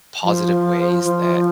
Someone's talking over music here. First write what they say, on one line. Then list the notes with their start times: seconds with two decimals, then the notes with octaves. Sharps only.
positive ways that,
0.23 F3
1.04 F3